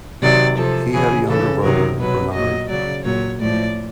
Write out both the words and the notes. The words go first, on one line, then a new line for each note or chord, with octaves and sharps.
He had a younger brother, Bernard.
C3 D#3 F#3 D5
C3 F3 A4
C#3 E3 G#4
C#3 E3 A4
C3 D#3 F#3 A#4
B2 F#3 B4
A#2 F#3 D#5
C#3 F#3 D5
A#2 F#3 C#5
A2 F3 D5